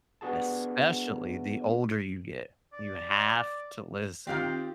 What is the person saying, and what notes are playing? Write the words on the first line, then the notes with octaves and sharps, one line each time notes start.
especially the older you get. You have to listen.
B3 D4 F#4 G#4 A5
D5
D#3 C4 F4 G4 C5